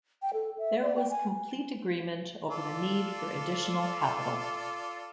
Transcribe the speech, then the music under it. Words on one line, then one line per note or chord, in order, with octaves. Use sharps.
There was complete agreement over the need for additional capital.
G5
A4
E5
D5
G5
G#5
F4 A4 D5